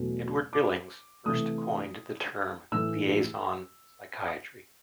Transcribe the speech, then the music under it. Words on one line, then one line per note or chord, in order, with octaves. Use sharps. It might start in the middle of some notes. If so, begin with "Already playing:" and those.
Edward Billings first coined the term liaison psychiatry.
Already playing: E2 B2 F#3 A3
D6
C3 E3 A3 D#6
A2 E3 A3 E6